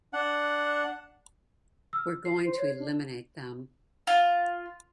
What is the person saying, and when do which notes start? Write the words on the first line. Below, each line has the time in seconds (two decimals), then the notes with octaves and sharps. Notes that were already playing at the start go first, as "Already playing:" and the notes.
We're going to eliminate them.
0.13 D4 F#5
1.93 E6 F6
2.25 C7
2.45 C5
2.57 C#5
2.79 D4
4.07 F4